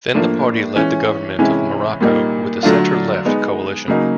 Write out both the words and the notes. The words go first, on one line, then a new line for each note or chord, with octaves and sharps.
Then the party led the government of Morocco with a centre-left coalition.
A2 F3 A#3 D4
E3 G#3 C#4
C3 E3 G#3 C#4 E4
A#2 G3 A#3 D#4
D3 F#3 A3 D4 F4
G#3 B3 D#4
C#3 F#3 A#3 D#4